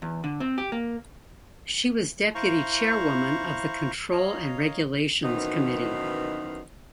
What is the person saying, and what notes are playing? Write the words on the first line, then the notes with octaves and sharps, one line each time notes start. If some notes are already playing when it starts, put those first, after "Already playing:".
She was deputy chairwoman of the Control and Regulations Committee.
E2
D3
C4
G4
A#3
E4 C5 F5 A#5 C#6
C#5 D#5 F5 A#5
F#2 B2 D#3 E3 C4 D#4